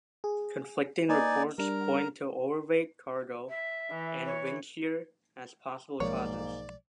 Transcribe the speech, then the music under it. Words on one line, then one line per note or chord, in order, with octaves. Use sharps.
Conflicting reports point to overweight cargo and windshear as possible causes.
G#4
A#3 D#4 B4 D5 D#5 G#5
G3 D4 A#4
E5
E3
C#5
B1 G#2 F3 G#3 A#3 C#5 D5